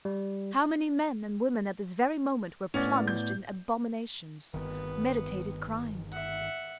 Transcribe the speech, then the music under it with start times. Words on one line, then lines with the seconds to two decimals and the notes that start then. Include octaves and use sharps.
How many men and women at this very moment were plunged in abominations--meditated crimes.
0.05 G3
2.74 A2 B3 C#4 D5
3.08 G6
4.54 G1 D#3 B3
6.12 E5 F#5